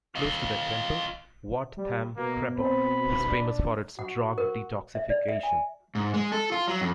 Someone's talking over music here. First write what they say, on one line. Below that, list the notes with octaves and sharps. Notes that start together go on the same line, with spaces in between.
Close to that temple, Wat Tham Krabok is famous for its drug detoxification.
F4 D#5
G3
B2 A#3
C4 B5
D4
F#4 F#5
A#4
E5
D5
E5
G#5
G#2
G#3
A4
F4
F#3
F2